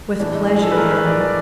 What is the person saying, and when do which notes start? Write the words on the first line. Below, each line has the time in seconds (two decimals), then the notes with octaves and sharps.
"With pleasure, madam."
0.20 A2 E3 D4
0.34 D#4
0.48 G#4
0.63 A4
0.72 B4
0.77 A2 E3 A#4
0.91 B4
1.06 D5
1.21 D5